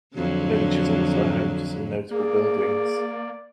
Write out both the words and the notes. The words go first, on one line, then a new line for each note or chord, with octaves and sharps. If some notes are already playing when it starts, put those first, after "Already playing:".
The village is also home to some notable buildings.
F2 D3 F#3
A#3 G#4 D5